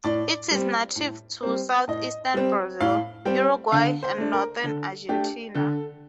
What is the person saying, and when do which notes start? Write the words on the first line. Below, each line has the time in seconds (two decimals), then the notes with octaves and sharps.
It is native to southeastern Brazil, Uruguay, and northern Argentina.
0.04 A2 D5
0.51 G3 C4
0.96 A2
1.43 G3 C4
1.88 A2 D#5
2.34 G3 C4
2.81 A2 F5
3.25 G3 C4 G5
3.72 D3 F5
4.03 C5
4.18 A3 D4
4.33 A#4
4.64 D3 A4
5.09 A3 D4 G4
5.55 D3 A4